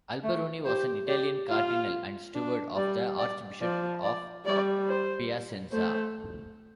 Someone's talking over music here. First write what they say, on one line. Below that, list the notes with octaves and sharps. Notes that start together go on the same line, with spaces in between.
Alberoni was an Italian cardinal and steward of the archbishop of Piacenza.
A3
G4 C5
G4 D5
F4 F5
D4
G3 D5
D5
F3 D5
D5
G3 D5
C5
A3 C5